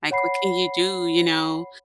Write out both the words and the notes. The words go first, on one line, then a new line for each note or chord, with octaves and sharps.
Like, what can you do?" You know,
C#5 F#5 B5 C7